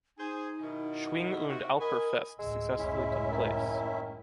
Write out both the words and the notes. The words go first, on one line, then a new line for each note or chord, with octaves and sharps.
"Schwing- und Älplerfest" successfully took place.
D#4 G#4 C5 G#5
B2 D#3 E4
C3 F#4
A#4 D#5 G#5 B5
A1 D2 G#3 E6
F#1 C#2 A2 C#4 E4 E5
D#3